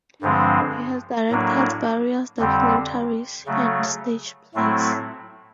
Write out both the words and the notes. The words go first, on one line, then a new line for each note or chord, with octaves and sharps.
He has directed various documentaries and stage plays.
G2 D3 F3 G#3 C4
A2 F#3 A#3 D4
F2 D3 G3 C4
C#3 F#3 A3
A2 F#3 A3 C4 E4